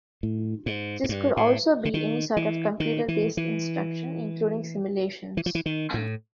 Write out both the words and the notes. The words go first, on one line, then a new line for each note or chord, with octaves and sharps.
This could also be any sort of computer-based instruction, including simulations.
A2
G#2
G#2
G2
A2
D3
D#3
E3
D#3
E3
E3
E3
F3
E3
D#3
A2